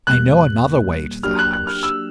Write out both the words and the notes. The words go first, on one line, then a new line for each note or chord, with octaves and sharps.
I know another way to the house.
E2 B2 G3 A#3 F#6
F#3 A#3 D4 G4 F6
F#6
F#6
F6
E6